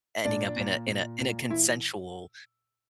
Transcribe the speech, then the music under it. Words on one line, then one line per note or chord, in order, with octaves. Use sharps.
ending up in a in a in a consensual,
A#2 D4
A#2
A#2
A#2
E3 E4